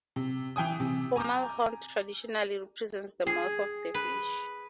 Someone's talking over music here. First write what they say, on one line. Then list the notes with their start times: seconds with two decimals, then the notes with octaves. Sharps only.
Fomalhaut traditionally represents the mouth of the fish.
0.16 C3
0.56 E3 G5 G#5 D#6
0.80 C3
1.16 G#5 A#5 D6 G6
3.27 G#4
3.94 B4